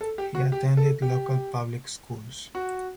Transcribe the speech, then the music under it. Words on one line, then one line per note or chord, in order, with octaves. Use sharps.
He attended local public schools.
A4
G4
F#4
G4
A4
G4
F#4